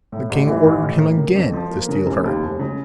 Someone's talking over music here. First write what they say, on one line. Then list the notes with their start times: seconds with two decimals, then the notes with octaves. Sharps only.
The king ordered him again to steal her.
0.12 A2
0.30 A1
0.47 E3
0.65 A1
0.83 A2
1.00 A#3
1.18 C#3
1.36 F2
1.54 F3
1.71 A#3
1.89 C#3
2.06 F1
2.24 D#2
2.42 F1
2.59 C#3